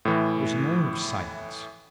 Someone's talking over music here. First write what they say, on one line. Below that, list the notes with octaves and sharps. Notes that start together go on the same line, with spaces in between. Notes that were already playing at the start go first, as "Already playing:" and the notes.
There was a moment of silence.
A2 E3